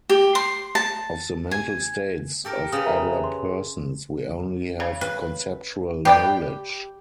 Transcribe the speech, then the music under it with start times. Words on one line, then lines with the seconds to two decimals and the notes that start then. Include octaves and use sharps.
Of the mental states of other persons we only have conceptual knowledge.
0.10 G4
0.35 C6
0.75 A5
1.51 G#5
2.45 G4 A4 A#4
2.72 C#3 B4 D#6
2.85 A#4 E5 A#5
3.24 C6
4.80 C#3
5.01 B4
6.05 G4 B4 D5 G5